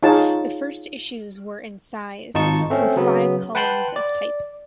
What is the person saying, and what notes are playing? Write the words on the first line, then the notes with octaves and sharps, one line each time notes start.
The first issues were in size, with five columns of type.
D#4 F4 G#4 C#5 A5
G#1 D#4 F4 A5 C#6 C#7
A3 C4 C#4
C#3 F#3 B3
B4 F#5 G5 A5 C6 F#6
D5